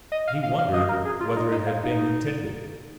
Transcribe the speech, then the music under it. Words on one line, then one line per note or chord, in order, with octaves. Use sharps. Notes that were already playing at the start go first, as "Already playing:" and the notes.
He wondered whether it had been intended.
D#5
F5
F5
F5
D#5
A#4
G#4
F4
F4
D#4
D#4
F4
D#4